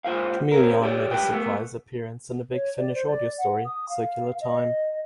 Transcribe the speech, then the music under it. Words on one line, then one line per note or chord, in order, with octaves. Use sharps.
Kamelion made a surprise appearance in the Big Finish audio story "Circular Time".
C#2 A#2 F4 C5 F5
C4 C#4 A#4
G4 A4 C#5 D5
D2 F#3 G4 B4 G5
A3 B3
C#5
D5
C5
D5
F#5
D#6
F5
D#5